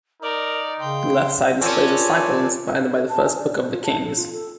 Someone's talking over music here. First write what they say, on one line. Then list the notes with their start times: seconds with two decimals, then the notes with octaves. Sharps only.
The left side displays a cycle inspired by the first book of the Kings.
0.22 D#4 A#4 D5
0.79 C#3 G5 C6
1.61 C4 C#4 F4 A#4 D5 G#5 A5
2.96 A4
3.09 A5
3.24 G#5
3.39 D5
3.56 C5
3.71 F4
3.84 A5
4.04 A4
4.16 F4
4.33 A4